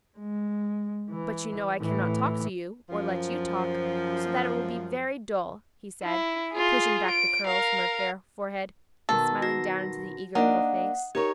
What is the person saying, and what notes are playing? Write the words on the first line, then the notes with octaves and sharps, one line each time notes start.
"But you know I cannot talk to you, or let you talk; so that it will be very dull," he said, pushing back the curls from the fair forehead, and smiling down into the eager little face.
G#3
E3
A2 E3
F#2 F3
E4
F4 G#4
D7
A#4 F5
B2 D#3 A4
F#4 A#6
A#3 D4 D#4 D#5 F#5
D#4 G4 A#4 C#5